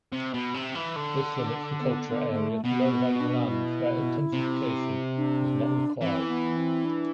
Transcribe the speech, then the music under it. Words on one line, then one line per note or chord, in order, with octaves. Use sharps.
This limits the culture area to low value lands where intensification is not required.
C3
B2
C3
E3
D3
B3
B3
B3
A3
B2 B3
B3
D4
E4
C3
D4
E3 C4
B3
C4
D4